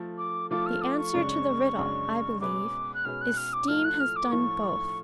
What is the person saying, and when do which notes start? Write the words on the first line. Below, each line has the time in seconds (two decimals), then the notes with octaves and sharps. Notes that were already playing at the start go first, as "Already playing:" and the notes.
The answer to the riddle, I believe, is--Steam has done both.
Already playing: F3 A3 F4 A4
0.18 D6
0.50 F3 A3 F4 A4 D6
0.66 F6
0.82 D6
0.98 C#6
1.14 F#2 C#3 G#3 D4
1.78 F#2 C#3 G#3 D4
2.41 B2 G#3 C#4 G#4 B4 D6
2.94 F#6
3.05 B2 G#3 C#4 G#4 B4 F6
3.21 F#6
3.37 F6
3.53 D6
3.68 A2 F3 A3 F4 A4 F6
3.85 F#6
4.00 F6
4.16 D6
4.32 A2 F3 A3 F4 A4 C#6